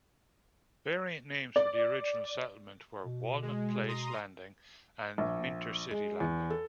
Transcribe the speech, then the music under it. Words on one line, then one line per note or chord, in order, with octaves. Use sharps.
Variant names for the original settlement were "Walnut Place Landing" and "Minter City Landing".
D5
B2
G#3
A#5 C6 D#6
A#1
G#3
E2
A4